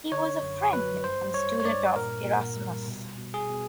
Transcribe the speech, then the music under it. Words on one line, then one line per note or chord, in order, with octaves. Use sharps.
He was a friend and student of Erasmus.
D3 C#5
F#2
F#3 B4
G2 C5
G3 C#5
C#5
G2 D5
A#2 A#4
A#2
G3
B2
B2
G#4
B2